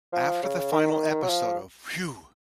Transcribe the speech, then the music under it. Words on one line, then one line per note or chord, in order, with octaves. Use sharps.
After the final episode of Whew!
F3
C#3
D#3
D#3
D#3
F#3
F3